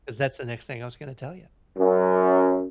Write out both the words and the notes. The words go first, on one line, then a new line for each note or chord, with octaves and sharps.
'cause that's the next thing I was gonna tell ya.
F#2